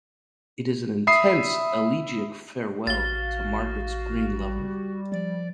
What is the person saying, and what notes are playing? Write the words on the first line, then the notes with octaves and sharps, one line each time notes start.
It is an intense elegiac farewell to Margaret's 'green lover'.
E5 B5 D#6 C7
A1 F#4 F5 A6 G7
G3
F3 D5